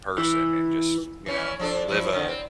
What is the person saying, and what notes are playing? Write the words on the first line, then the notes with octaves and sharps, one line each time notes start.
person and just, you know, live a
E3
E3 C#4
F3 D4 A4
F3 E4
D3 D#3 C#4
C4